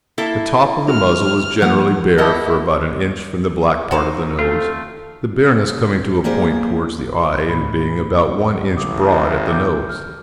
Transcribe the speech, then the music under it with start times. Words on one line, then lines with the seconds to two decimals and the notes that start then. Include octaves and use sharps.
The top of the muzzle is generally bare for about an inch from the black part of the nose, the bareness coming to a point towards the eye, and being about one inch broad at the nose.
0.18 A#3 E4 A4
0.88 F#4 F6
1.62 F3 A#3 F#5
2.18 E4 A#4 D#5 F#5 A5
3.91 D#4 F#4 C5 F5
4.39 A3 C4 F4 A4
6.24 G3 A#3 G#4 A#4 C5
7.49 A2 B5
8.12 F2 A#3
8.77 A1 C#3 D6 D#6
9.50 D6 G6
9.89 F6